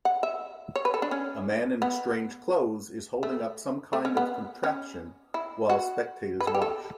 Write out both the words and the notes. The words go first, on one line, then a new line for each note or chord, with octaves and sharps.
A man in strange clothes is holding up some kind of contraption while spectators watch.
F#5
E5
C#5
B4
A4
D4
C#4
B3
A3
A3
C#4
B3
C#4
E4
F#4
B4
A4
G4
A4